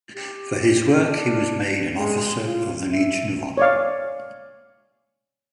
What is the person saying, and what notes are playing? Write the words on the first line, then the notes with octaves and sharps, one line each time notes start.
For his work he was made an Officer of the Legion of Honour.
G4
D4
G#3
F4
E5
C#5 D5 F5